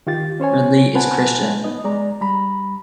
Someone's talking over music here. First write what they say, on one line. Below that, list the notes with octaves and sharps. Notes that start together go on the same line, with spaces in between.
Ridley is Christian.
D#3 F4 G4 A6
C#4 C5 C#5 G#5
B4 C5 F#5 G#5 A5
B3 D#4 D#5
G#3 D5 A#5
G3 A#5 B5